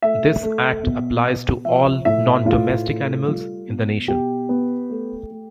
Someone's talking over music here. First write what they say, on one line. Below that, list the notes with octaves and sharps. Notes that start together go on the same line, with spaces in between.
This act applies to all "non-domestic animals" in the nation.
A3 E5
A3
B2
B2
F3 E5
A2 E5
A2 F4
A3
G3 F4
B2
B2 G4
B3
A3
A3